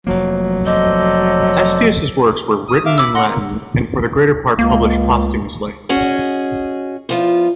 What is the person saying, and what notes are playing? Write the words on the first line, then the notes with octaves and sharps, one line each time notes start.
Estius's works were written in Latin and for the greater part published posthumously.
F1 F3 F#3 A#3
A4 C5 D5 D#5
D#6
E5 F5 D6
B5 D6 E6
F#5 C6 A#6
A#3
C#2 A#3
C#4 F#4 G#4 D#5
E2 F3 F4